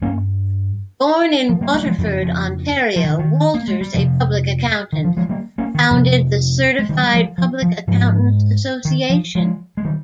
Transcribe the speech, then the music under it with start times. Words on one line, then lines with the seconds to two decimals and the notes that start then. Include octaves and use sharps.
Born in Waterford, Ontario, Walters, a public accountant, founded the Certified Public Accountants' Association.
0.02 G2 A#3 C#4
1.49 F3
1.61 G3 A#3
1.74 G3 A#3
1.86 F3 G#3
1.98 F2 D#3 G3
2.03 C#3
2.23 F3
2.96 F3
3.04 D#3
3.19 D#3
3.54 A#3
3.68 G#3
3.81 G3
3.94 F2 C3 F3
4.93 D#3
5.05 F3
5.17 F3 G#3
5.29 G3 A#3
5.58 A#3 C#4
5.75 D#3
5.91 F2 C3 F3
6.79 G#3
6.89 D#3 G3
7.03 G3
7.14 F3 G#3
7.38 F3
7.62 F3
7.87 G#2 F3
8.85 D#3
9.10 F3
9.35 F3 G#3
9.77 G#3
9.85 D#3 G3